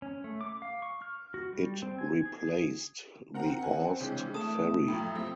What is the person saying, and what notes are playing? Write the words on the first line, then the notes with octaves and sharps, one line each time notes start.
It replaced the Aust ferry.
C#4
A3
D6
F5
C#6
F6
F#4
G3
C4
G#5
G#4
C4 A#4 F#5 A#5
F#5 G#5
C#3 E3 G#3 D4 C#5 G6
A3 A5 D#6 E7
F#2 A2 F3 F4 G5 B5
A3 C4